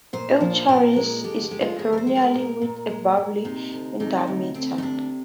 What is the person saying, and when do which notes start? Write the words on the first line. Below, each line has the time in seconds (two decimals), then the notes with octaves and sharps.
"Eucharis" is a perennial with a bulb in diameter.
0.13 A#2 C5
0.40 F3
0.68 A#2 A#4
0.96 G#3
1.24 D3 G4
1.42 G4
1.51 G#3
1.61 F4
1.79 D2 G#4
1.93 A#4
1.97 C5
2.07 G#3
2.16 A#4
2.34 A#2
2.62 A#2
2.90 G#3
3.17 A#2
3.45 C3 D#4
3.72 D2
4.00 C3 D#4
4.27 D2
4.55 D2 C4
4.78 D#4
4.82 C3 D4